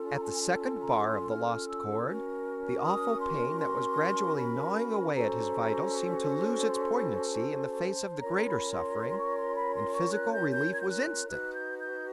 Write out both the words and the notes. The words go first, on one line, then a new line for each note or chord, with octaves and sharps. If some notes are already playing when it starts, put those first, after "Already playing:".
At the second bar of the 'Lost Chord' the awful pain that was gradually gnawing away at his vitals seemed to lose its poignancy in the face of the greater suffering, and physical relief was instant.
Already playing: C#4 F4 A4
A#5
A5
G#5
A5
A5
A#5
C6
F6
E6
C#4 F#4 A#4
D#6
C6
C6
B5
C#4 F#4 A4 C5 A#5
C6
B5
A5
C#4 F4 A#4 C#5 A#5
B5
C6
C6
C6
C#6
C6
B5
C6
C#6
F#6
G6
G6
G#6
G6
F#6
D#4 F#4 B4 F#6
G6
G6